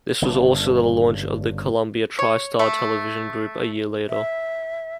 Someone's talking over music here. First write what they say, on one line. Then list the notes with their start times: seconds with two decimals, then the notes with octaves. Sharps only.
This was also the launch of the Columbia TriStar Television Group a year later.
0.22 G1 G2 C#3
2.19 C#5
2.59 A3
4.08 E5